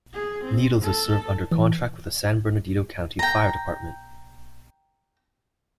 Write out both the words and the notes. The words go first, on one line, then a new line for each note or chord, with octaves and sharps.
Needles is served under contract with the San Bernardino County Fire Department.
G#4
C4
A4
E3
G5 A#5